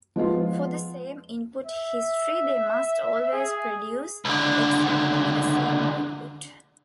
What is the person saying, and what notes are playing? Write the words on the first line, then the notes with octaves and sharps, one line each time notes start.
For the same input history they must always produce exactly the same output.
F3 G#3 B3 F4
E5
G#4
C#2 D3